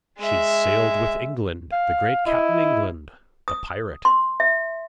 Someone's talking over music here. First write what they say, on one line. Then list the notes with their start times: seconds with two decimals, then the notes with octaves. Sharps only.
She's sailed with England, the great Cap'n England, the pirate.
0.19 G#3 E5
1.72 F5
2.26 E4 D#5
3.48 D#6
4.05 C6
4.40 E5